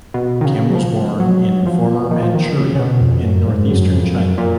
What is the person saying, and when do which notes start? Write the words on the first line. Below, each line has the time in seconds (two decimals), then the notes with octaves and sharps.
Kim was born in former Manchuria in northeastern China.
0.14 B2
0.41 D#3
0.45 C#3
0.70 F#3
0.75 F3
1.20 F#3
1.66 F3
2.11 D#3
2.23 F3
2.35 D#3
2.56 C#3
2.75 C#3
2.79 B2
3.01 F2
3.24 F#2
3.47 G#2
3.70 F#2
3.92 F2
4.15 F#2
4.38 A#2